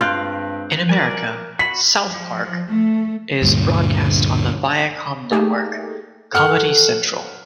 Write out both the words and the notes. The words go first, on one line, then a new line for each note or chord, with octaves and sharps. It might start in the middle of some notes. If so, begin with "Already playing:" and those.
In America, "South Park" is broadcast on the Viacom network Comedy Central.
G2 G#3 C4 F4 F#6 G6
A#4 D5 G#5
F#4 B5 B6
F3
A3
D2 G2 A#2
A3 A#3 D#4 G4 G#4
A4 F#5 F6